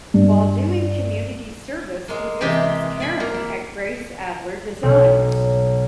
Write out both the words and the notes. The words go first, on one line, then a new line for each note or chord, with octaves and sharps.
While doing community service he visits Karen at Grace Adler Designs.
G2
G#3 A#3
C3 E3 G#3 D#4 G4 G#4
D5 E5 G#5 B5
A#3 A#5
E4
B1